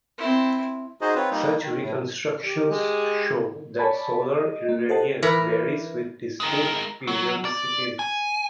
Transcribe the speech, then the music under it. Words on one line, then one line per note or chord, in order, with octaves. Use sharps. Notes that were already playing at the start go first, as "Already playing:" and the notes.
Such reconstructions show that solar irradiance varies with distinct periodicities.
C4 E4
D#4 F#4 G#4 C5 D#5
C4 F4 B4 C#5
G3 A#3 D#4
D#3
A2
G4
G#3
C#5 D5 G#5 A5 B5
D#5
A#3
G4 A4 C5 D#5 F#5 A5
E3 A#4 B4
G#3 A#4
F#3
D5
G#5